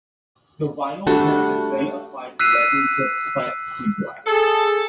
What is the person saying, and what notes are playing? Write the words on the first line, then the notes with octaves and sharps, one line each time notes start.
The vinyl print is then applied directly to plexiglass.
G3 A3 D4 F#4
E6 F#6 B6 C7 D#7 F7
G#4 A4